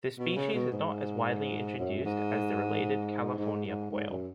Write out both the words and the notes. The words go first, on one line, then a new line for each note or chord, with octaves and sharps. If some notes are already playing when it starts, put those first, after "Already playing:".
The species is not as widely introduced as the related California quail.
B2
C#3
B2
G#2
F#2
G#2
G#2
G#2
G#2
F#2